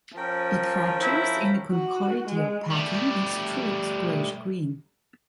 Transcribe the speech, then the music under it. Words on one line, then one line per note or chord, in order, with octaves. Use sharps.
It fractures in a conchoidal pattern and streaks grayish-green.
F3 C#4 A#4 G5
E4
F#4
G#3
G3 A3